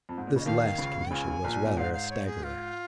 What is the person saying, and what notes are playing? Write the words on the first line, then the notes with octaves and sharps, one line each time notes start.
This last condition was rather a staggerer.
F2
G#2
A#2
C#3 D#5
D#2 D#3 F5
D#3
C#2 C#3
C#2 C#3 G#5
A#1 A#2
A#2
G#2 F5
F5
C#5
G#4
F4